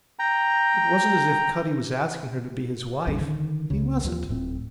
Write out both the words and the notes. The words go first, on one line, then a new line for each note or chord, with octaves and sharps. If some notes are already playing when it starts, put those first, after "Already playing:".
It wasn't as if Cutty was asking her to be his wife; he wasn't.
G5 A#5
A#1 E2 G3 C#4
D3 D#3
C#2 C#3
D#2 E3 F3
D1 A2 C4